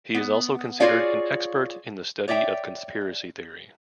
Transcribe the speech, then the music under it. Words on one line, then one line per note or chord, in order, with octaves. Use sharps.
He is considered an expert in the study of conspiracy theory.
B3
F4 F#4 G#4 C#5 D5 F5
C#5 D5 E5 G5